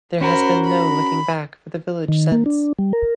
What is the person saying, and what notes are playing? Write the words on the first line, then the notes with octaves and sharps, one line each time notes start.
There has been no looking back for the village since.
C#4 F#4 A#4 C5 B5
B5
D#3
A#3
D4
G3
A#4